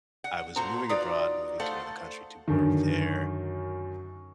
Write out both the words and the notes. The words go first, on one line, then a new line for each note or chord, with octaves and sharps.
I was moving abroad, moving to another country to work there,
F#5
A#2 F#4 A4 C5 A#5
D#4 F4 F#4 B4 D5
A3 A4 C5 F5 F#5
F#2 D3 D#3